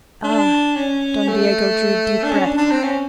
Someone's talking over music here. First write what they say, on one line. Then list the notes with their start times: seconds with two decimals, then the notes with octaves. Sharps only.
"Ah!" Don Diego drew a deep breath.
0.24 D4
0.76 C#4
1.28 A3
2.24 D4
2.32 C#4
2.45 D4
2.58 D4
2.72 C4
2.84 C#4